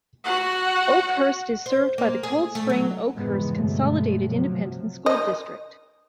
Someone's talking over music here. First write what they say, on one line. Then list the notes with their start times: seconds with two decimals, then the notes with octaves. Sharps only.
Oakhurst is served by the Coldspring-Oakhurst Consolidated Independent School District.
0.24 F#4 F#5
1.66 C5
1.98 A#3
2.23 G#4
2.55 A3
2.70 F#3
3.15 F2 G#2 C#3 E3 G#3 B3
3.57 G2 B2 D3 F#3 G#3 A3
4.27 C3 F3 F#3
5.06 D#5